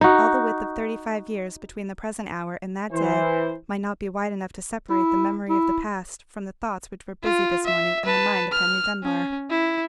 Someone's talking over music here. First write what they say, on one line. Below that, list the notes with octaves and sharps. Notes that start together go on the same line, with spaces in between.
All the width of thirty-five years between the present hour and that day might not be wide enough to separate the memory of the past from the thoughts which were busy this morning in the mind of Henry Dunbar.
D#4 F#4
E3 C5
E4
E4
F4
E5
B4 A5
F6
C#4
E4